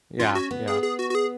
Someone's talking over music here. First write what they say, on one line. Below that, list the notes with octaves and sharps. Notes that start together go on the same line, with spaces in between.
Yeah, yeah.
C#4 F4
F#4
B3
G#4
G#4
F#4
F#4
G#4